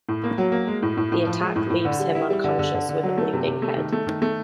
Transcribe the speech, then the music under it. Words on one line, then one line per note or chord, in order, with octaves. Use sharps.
The attack leaves him unconscious with a bleeding head.
A2
A#3
F#3
A#3
G#3
A2
A2
A2
F3
G#3
A2
A2
D3
G3
E4
G3
D3
D3
D3
D3
F#3
A3
C3
C3
A3
D#3
A3
D#3
A3